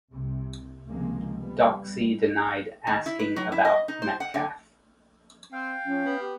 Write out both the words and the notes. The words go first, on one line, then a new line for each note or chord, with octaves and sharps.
Doxey denied asking about Metcalfe.
C2 C3
C#2 C3 D#3 F3 G#3 A#3
G3 B3
D#3
E4
B4
F#3
E4
D#5
D#4
C5
F#5
D3
C4 F5 G5
F3 C#4
B3
G4